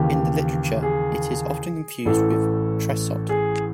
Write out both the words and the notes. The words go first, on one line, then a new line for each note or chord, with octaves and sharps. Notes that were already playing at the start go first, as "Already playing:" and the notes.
In the literature, it is often confused with Tressot.
Already playing: D#2 C#3 E3 G4
G#4
A1 A2 E3 A4
G#4